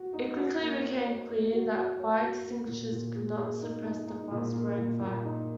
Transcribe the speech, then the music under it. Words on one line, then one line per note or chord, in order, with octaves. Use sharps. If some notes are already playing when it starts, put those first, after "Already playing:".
It quickly became clear that fire extinguishers could not suppress the fast-growing fire.
Already playing: F#4
D#4
F#4
A#3
C#5
C#5
A#3
F#4
F#4
C#5
F#4
A#3
A#2
A#2
G#4
G#4
D#4
D#4
D#4
A#2
A#3
A#2
A#2
D#4